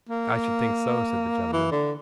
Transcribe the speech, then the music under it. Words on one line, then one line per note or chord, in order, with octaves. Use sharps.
'I should think so,' said the gentleman.
A#3
E3
D3